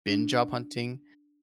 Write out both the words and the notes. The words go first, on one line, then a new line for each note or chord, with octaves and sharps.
been job hunting,
D4